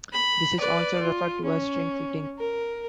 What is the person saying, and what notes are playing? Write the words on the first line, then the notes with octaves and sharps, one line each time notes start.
This is also referred to as shrink-fitting.
B5
B4 D5
F4
C#4
A#4